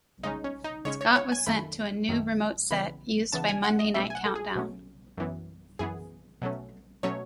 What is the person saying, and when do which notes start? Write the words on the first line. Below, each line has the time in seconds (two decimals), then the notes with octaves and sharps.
Scott was sent to a new remote set used by "Monday Night Countdown".
0.23 C#3 G#3 C#4 D#4
0.44 C#4
0.64 D#4
0.85 C#3 G#3 C#4 C#5
1.01 C#5
1.16 C#5
1.32 G#5
1.46 F#2 D#3 A3 B5
2.09 F#2 D#3 A3
2.71 C#3 E3 B3 B5
3.32 C#3 E3 B3 A5
3.48 G#5
3.64 F#5
3.79 D#5
3.94 B2 F#3 A3 C#4 E5
4.10 G#5
4.15 F#5
4.26 A4
4.35 G#4
4.56 B2 F#3 A3 C#4
5.18 F#2 E3 B3
5.79 F#2 E3 B3 G#4
6.42 B2 F#3 A3 C#4
7.03 B2 F#3 A3 C#4 C#5